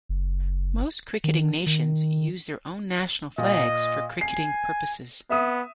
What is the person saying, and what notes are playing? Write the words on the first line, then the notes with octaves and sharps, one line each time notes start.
Most cricketing nations use their own national flags for cricketing purposes.
F#1
D#3
D#3
A#2 D#5
G#5 C7
B3 E5 D#6